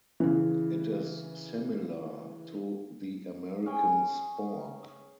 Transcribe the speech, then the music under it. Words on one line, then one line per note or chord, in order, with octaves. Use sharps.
It is similar to the American spork.
C#3 E3
C#4 G#4 G5 G#5